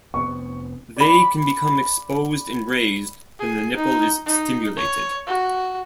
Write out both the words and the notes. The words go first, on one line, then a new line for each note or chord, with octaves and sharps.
They can become exposed and raised when the nipple is stimulated.
F1 B3 C4 C#6
D5 B5
G#4
D#4
D#4
C#5
F#4